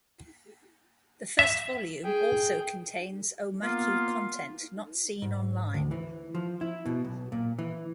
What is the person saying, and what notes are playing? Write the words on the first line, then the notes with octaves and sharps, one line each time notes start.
The first volume also contains omake content not seen online.
E5
G#4 G5
A#3 B3 F4
G#2
D2
E3
F3
E4
B2
B1
A#2
E3